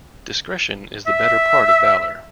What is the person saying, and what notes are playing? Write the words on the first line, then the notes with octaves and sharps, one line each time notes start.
Discretion is the better part of valour.
E5